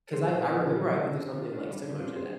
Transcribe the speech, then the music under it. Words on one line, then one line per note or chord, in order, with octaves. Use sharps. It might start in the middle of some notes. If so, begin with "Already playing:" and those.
'cause I I remember I went through something, like, similar to that.
G#3 G#4 C5
A#2
C4
A#2
G3
D3
C4
D3
D#3 D4 F4
D4
G3 D4
C3
C4 D4 F4
C4 G#4 C5